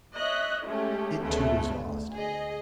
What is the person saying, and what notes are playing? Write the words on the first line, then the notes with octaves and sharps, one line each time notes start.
It, too, was lost.
C#5 D#5 E5 F#6
G#3 A3 C#4 G4
D2 C#3 G#3 A3 B3
D2
G#4 D#5